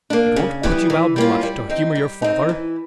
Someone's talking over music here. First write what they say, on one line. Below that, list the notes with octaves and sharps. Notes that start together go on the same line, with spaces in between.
It won't put you out much to humor your father!
A#3 D4
C#3
E3 G3 B3
E3
G3 A#3 C#4 F4
G3
C4 D#4
G3
C4 D#4
E3